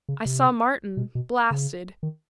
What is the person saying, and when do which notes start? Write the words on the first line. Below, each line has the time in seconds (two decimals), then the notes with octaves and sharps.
I saw Martin--blasted.
0.09 C#3
0.25 C3
0.97 B2
1.15 B2
1.51 C#3
2.03 D#3